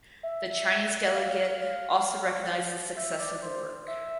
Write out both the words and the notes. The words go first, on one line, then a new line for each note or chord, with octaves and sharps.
The Chinese delegate also recognized the success of the work.
E5
F5
E5
D5
C5
E5